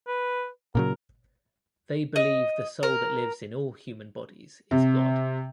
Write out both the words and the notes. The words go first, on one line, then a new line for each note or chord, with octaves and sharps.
They believe the soul that lives in all human bodies is God.
B4
A#2 C#3 F#3 A#4
D#5
A#4
C3